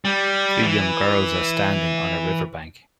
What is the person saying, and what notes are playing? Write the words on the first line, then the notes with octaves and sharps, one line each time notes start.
Three young girls are standing on a riverbank.
G3
E3